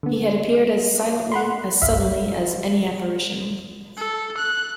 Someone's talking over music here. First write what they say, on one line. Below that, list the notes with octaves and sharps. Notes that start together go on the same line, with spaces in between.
He had appeared as silently, as suddenly, as any apparition.
D3 B3
F#5 B5 C6
G1 C2 E5 F5
A4
F#6